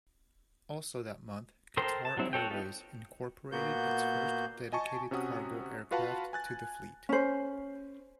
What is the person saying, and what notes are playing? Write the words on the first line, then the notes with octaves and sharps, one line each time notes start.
Also that month, Qatar Airways incorporated its first dedicated cargo aircraft to the fleet.
A4 A#4 C5 G5 C6
A5
F#3 G3 C4 E4
F#4 A4 C#5 G5
B3 D#4 F4 G4 A4
A#2 A#3 B3 F#4 G6
D#5 G#5 A5 C#6
C3 C#4 F#4 F#5 D#6
F4 F#4 B4 F5 F#5 A5
G#5 F#6 A6
C#4 C5